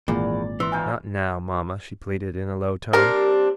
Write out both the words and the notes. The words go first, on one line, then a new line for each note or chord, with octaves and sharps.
'Not now, mama,' she pleaded in a low tone.
G#1 E2 A#2 D5
E3 C6 E6
C4 D#4 F4 G#5
G3 C4 D4 A#4